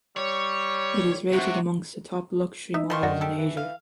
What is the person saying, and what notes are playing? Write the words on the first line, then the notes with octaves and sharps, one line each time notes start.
It is rated amongst the top luxury malls in Asia.
G3 C#5
C3 F#4
D#4 E5
D#3 F3 C6 C#6
F#2 D5 F#5 A#6
G4 A4
E3
F5